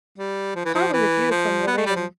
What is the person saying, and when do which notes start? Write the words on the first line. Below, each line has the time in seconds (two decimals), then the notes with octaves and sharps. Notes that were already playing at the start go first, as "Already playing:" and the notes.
Kahn was a Jew from Lorraine.
0.18 G3
0.55 F3
0.65 E3
0.74 F3
0.93 E3
1.31 F3
1.67 B3
1.77 A3
1.86 G3
1.96 F3